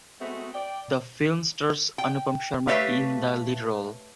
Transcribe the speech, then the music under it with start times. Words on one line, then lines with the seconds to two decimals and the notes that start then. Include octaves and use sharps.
The film stars Anupam Sharma in the lead role.
0.20 G#3 A3 B3 C4 F#4
0.53 D5 G5
1.98 G5
2.68 A3 G4 B4 C#5 E5 F5